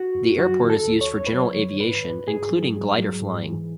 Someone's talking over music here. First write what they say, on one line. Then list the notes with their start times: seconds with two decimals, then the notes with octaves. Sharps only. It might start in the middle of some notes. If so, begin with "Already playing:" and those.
The airport is used for general aviation, including glider flying.
Already playing: F#4
0.15 F#2
0.38 F#3 F#4
0.61 D#3
0.70 A4
0.85 D#2
1.01 C#5
1.09 D#2
1.27 B4
1.32 F#3 C#5
1.56 D#3
1.80 G#2 B4
2.04 G#2
2.28 G#2 G#4
2.51 F#3
2.75 G#2
2.98 F#3
3.22 G#2
3.46 E3